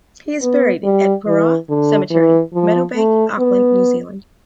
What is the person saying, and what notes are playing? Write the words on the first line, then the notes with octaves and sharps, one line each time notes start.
He is buried at Purewa Cemetery, Meadowbank, Auckland, New Zealand.
B3
G3
E3
D3
E3
F3
A3
B3